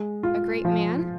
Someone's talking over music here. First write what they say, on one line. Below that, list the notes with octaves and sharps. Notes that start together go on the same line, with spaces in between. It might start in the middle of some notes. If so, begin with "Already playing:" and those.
A great man?
Already playing: G#3
F4
F3